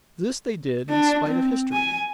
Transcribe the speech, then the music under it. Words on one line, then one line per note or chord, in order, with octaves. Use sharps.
This they did in spite of history.
D4
C4
G#5